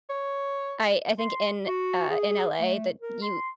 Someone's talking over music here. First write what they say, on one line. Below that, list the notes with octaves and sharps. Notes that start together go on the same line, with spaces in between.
I I think in uh, in LA that you
C#5
C6
F#4
G#4
A3
A#4
C6